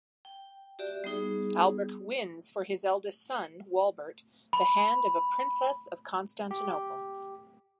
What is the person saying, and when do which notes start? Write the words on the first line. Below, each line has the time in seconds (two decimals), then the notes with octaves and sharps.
Alberich wins for his eldest son, Walbert, the hand of a princess of Constantinople.
0.25 G5
0.79 F#4 G4 D5 E5
1.04 G3 B3 D#4 G#4
4.53 B5
6.51 G4